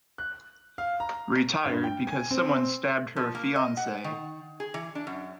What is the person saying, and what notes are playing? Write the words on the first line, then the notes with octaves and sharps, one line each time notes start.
Retired because someone stabbed her fiance.
F#6
F5
A#5
G2
G5
G#5
C4
F3
A#3
D#5
F#5
D#3
G#4
E3
D4
F#2